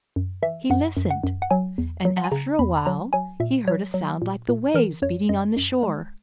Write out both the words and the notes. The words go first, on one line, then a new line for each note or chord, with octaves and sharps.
He listened, and after a while he heard a sound like the waves beating on the shore.
F#2
E3 E5
F#2 F#5
F#2
F#5
F#2
F#5
F#3 G#5
E2
F#3
F#5
G#5
C#3 A#5
E2 B5
B5
F#3 A#5
F#3 G#5
A#2 E5
F#3 C#5
F#3
A#2
A#2
E3 A#4
F#2 C#5
F#2 D#5
F#2
G#3